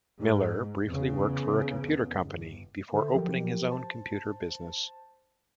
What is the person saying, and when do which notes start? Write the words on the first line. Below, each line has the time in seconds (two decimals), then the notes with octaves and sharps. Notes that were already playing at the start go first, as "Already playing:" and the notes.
Miller briefly worked for a computer company before opening his own computer business.
0.20 G#2
0.85 E2 C#3
2.20 G1
2.93 D3 A4 C5 E5
3.14 F3 F#3 G4 A#4
3.68 C5 A5